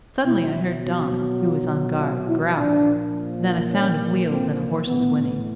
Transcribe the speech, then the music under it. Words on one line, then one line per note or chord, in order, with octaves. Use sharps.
Suddenly I heard Don, who was on guard, growl, then a sound of wheels and a horse's whinny.
B2 F#3 E4
F4
E4
E4
A#2 F3 D4
C#4
C4
A2 E3 B3